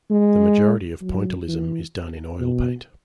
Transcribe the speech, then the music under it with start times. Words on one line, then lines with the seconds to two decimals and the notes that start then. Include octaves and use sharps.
The majority of Pointillism is done in oil paint.
0.10 G#3
1.02 F#3
1.48 E3
2.40 B2